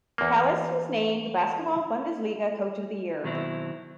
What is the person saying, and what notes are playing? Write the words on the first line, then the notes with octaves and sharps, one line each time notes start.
Calles was named the Basketball Bundesliga Coach of the Year.
E2 A#3
B2 D#3 F#3 C4 E4